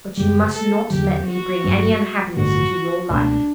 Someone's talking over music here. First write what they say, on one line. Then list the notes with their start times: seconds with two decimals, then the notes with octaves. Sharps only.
But you must not let me bring any unhappiness into your life.
0.17 F#2 C#3 G3 G4
0.54 A4
0.90 E2 D3 F#3 G4
1.27 F#4
1.64 G1 G2 F#3 C#4
2.36 A1 G2 D3 A3 F#4
3.09 C#2 B2 A3 D4